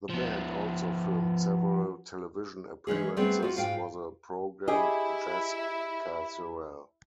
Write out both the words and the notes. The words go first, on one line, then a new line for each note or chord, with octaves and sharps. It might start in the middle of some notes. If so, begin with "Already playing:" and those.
The band also filmed several television appearances for the program "Jazz Casual".
F3 B3
E3 G#3 C#4 G#4
G3 A3 B3 C4 G#4
F4 F#4
G#2 F4 F5 G5
E4 G4 G#4 D#5